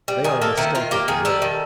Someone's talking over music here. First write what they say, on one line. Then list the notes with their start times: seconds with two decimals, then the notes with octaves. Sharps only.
They are a mistake up the river.
0.08 G3
0.24 D#3 G#4
0.42 A#3 A4
0.57 D#3 E4
0.75 D#3 F4
0.91 A#3 G4
1.08 D#3 G#4
1.25 G3 A4
1.42 D#3